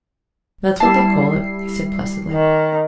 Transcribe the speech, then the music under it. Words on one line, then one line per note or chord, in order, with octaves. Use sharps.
"That's what they call it," he said, placidly.
G3 E4 A5 C7
D#3